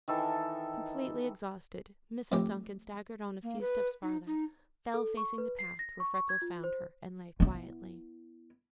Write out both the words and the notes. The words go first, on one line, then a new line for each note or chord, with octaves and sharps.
Completely exhausted, Mrs. Duncan staggered on a few steps farther, fell facing the path, where Freckles found her, and lay quietly.
D#3 E3 A4
F2 A2 G4 G5
A#3
B4
D#4
D#4
A4
C#6
B4
C7
A#6
C#6
C#6
G#6
F4
C5
B3 E4